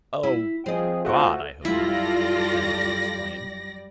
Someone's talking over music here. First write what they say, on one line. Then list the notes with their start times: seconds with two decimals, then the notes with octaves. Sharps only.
"Oh, God, I hope not!" Harrington exclaimed.
0.23 E4
0.66 F3 C4 G#4 D#5
1.05 A3 F4 F#4 A4 C5
1.65 F#2 G3 E4 F4 A4 D5 A#6